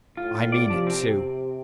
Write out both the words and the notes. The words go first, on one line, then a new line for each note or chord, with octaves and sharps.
I mean it too.
A2 F4
F4
D5
C3 F3
C4